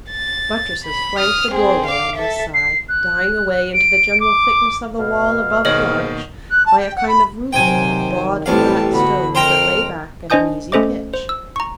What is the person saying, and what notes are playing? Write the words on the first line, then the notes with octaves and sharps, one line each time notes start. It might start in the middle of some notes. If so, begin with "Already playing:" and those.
Buttresses flank the doorway on this side, dying away into the general thickness of the wall above the arch by a kind of roofing of broad flat stones that lay back at an easy pitch.
A6
B5
D#6 F6
C4 G#4
F5 D6
A4 E5
C7
F#6
D7
D6
B2 F5
G#2 B2 D#3 A#3 C#5 D#5 F#7
F#6
A5
G5
F#5
B5
C3 D#3 F#3 C5 G5 G#5
A1 F2 F#3 G3 C4 G4 F5 A5
D3 B3 F#4 B5
F2 A#4 C5 G5 A#5 F6
D4 C5 D#5 G#5 D#6 G6
A3 C#4 A4 C5 D#5 D6
C5
E6
A#5 C#6